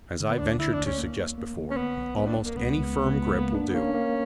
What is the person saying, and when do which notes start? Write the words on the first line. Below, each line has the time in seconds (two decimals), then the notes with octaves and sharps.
As I ventured to suggest before, almost any firm grip will do.
0.20 D3
0.29 B3
0.39 D2 D4
0.49 D4
0.59 D3 E4
0.73 D4
0.78 D2
0.86 C#4
0.98 A#3
1.18 A#3
1.38 A#3
1.58 D3
1.71 C#4
1.77 B1 B3
1.97 B1
2.17 A#3 B3
2.27 D4
2.36 B1
2.46 A#3
2.56 C#2 B3
2.77 C#2
2.96 C#2
3.15 C#2
3.35 A#3
3.55 D4
3.70 B3
3.74 A#3 C#4
3.94 A#3